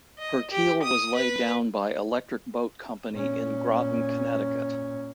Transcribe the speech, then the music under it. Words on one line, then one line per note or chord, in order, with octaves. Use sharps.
Her keel was laid down by Electric Boat Company in Groton, Connecticut.
D#5
G4
D#6
B4
A#2 C#4